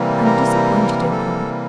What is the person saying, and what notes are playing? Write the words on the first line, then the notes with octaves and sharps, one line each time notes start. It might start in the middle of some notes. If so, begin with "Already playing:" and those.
I am disappointed in him.'
Already playing: C3 E3 G3 A#3
A#4
A4